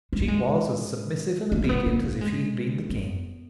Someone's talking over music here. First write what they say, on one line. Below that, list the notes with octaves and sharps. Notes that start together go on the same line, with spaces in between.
She was as submissive and obedient as if he had been the king.
G#3
A#3
G#3
A#3
A#3
B3
A#3
A#3
G#3
B3